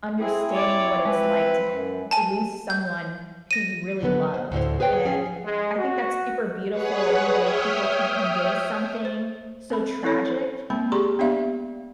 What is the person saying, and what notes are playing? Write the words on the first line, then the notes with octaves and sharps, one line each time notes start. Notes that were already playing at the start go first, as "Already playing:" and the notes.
understanding what it's like to ha lose someone who you really loved, and I think that's super beautiful the way people can convey something so tragic
C4 E4 G#4
C#5 D5
G#3 B4
F#2
G#5 A5
G6
A#6 D#7
D3 F#3 B3 B4
C5
D2 A2 C5
G#4 B4 C#5 G5
C#4 G#4
G#3
F#4
G#4 B4 C#5 F#5
C#5 E5 G5 D#6 F6 G6
C5
C4 A4 B5
C4 E4 A4 C#5
G#3 A#3 C4 B5
G4 G#4 D5 A#5 C6 C#6
B3 D4 G4 D5 E5 F5